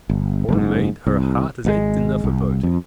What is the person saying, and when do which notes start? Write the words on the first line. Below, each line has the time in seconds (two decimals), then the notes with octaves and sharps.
Poor maid, her heart has ached enough about it.
0.10 G1
0.49 F#1 G#2
1.07 C2
1.65 G#1 B2 G#3
2.24 C2
2.63 F2